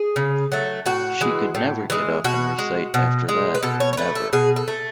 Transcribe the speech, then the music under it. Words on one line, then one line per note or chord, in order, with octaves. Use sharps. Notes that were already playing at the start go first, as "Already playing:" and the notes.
She could never get up and recite after that — never.
Already playing: G#4
C#3
F#3 A3
A2 F#4
E3 G#3
A2
E3 G#3
B2 F#4
G#3
B2
G#3
B4
B2 A4
C#5
C#5
A3 B4
A4
B2 G#4
A4
A3